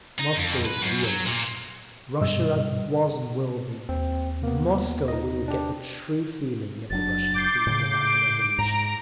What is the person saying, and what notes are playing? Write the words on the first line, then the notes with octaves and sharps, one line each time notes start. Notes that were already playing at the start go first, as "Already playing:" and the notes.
Moscow is real Russia, Russia as it was and will be; in Moscow we would get the true feeling of the Russian people about the Revolution.
D#4
F2
B4
F#2
F#3
A#2
G2 B2 G3 D#5 E6
D#2 C4
A#3 B3
D#4 D#5
D4 G4
F#1 F#3 D4 A6
D6 G6 C7
A2 C#3
D7
G#2 A#5